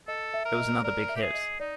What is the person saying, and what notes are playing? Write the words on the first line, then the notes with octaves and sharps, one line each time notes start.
It was another big hit.
A4 D#5
E5
A#4
D#5
A#4 D5
E5
G4
G#4
D#5
D#4 D5